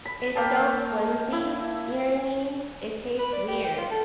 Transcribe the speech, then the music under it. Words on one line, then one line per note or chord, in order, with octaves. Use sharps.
It's so flimsy, you know what I mean? It tastes weird.
B5
A#3 F5 G5 A5
E4
B4
D5
G4
G5
F4
A4